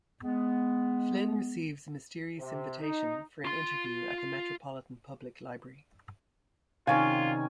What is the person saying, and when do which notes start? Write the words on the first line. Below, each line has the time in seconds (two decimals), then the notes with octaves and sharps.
Flynn receives a mysterious invitation for an interview at the Metropolitan Public Library.
0.23 G#3 B3
2.38 C3
2.80 D#4
3.45 F4 C6
6.87 C3 D#3 C#4 F4 D5 F5 G5 G#5